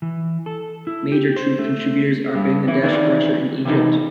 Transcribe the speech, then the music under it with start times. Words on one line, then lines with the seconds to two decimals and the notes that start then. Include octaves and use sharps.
Major troop contributors are Bangladesh, Russia and Egypt.
0.02 E3
0.46 A4
0.87 E4
1.12 G4
1.36 C5
1.59 A3
2.35 G2
2.68 E3 E4
2.82 D#3 E3 E4 D5
3.65 C3 E3 D#4